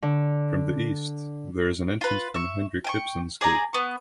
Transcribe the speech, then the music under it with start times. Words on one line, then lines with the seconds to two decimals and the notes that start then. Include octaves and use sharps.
From the east, there is an entrance from Henrik Ibsens gate.
0.02 D3
2.01 F4 B4
2.34 E5 C#6
2.84 G5 G#5 C#6
3.41 G#4 D5 G#5 A#5
3.73 B3 C#6